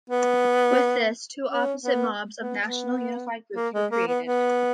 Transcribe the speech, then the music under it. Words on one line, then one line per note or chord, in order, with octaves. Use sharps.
With this, two opposite mobs of national unified groups were created.
B3
C#4
B3
B3
B3
A#3
G#3
A#3
B3
B3